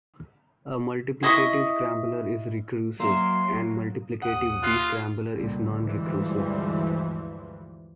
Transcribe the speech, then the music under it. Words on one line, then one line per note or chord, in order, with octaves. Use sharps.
A multiplicative scrambler is recursive, and a multiplicative descrambler is non-recursive.
E4 D#5 C#6 D#6
F#3 A#3 E5 F5 C6
D#2 F#5 D#6
F4 F#6 C7
C#2 A#2 D3 G3
D2 G2 E3 F3 G3 G#3